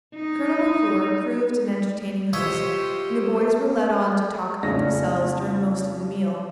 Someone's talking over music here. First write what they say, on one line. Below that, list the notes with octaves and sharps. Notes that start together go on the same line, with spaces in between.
Colonel McClure proved an entertaining host, and the boys were led on to talk about themselves during most of the meal.
D#4
F4 G4 C5 C#5 D#5 E5
F2 A2 C#3 C#4 D4 A#6